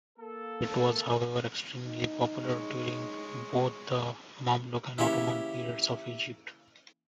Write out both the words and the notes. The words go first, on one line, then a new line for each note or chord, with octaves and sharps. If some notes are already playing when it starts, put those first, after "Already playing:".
It was, however, extremely popular during both the Mamluk and Ottoman periods of Egypt.
A#3 A4
D#4
G#3 C#5
C#3 E3 A#3 E4 G4 C#5